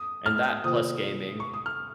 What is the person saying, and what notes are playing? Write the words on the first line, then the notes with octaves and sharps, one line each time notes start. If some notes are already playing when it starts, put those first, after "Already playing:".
and that plus gaming.
Already playing: D#6
F6
C3 D#3 A#3 F4 C5 D#6
C#6
D#6
F6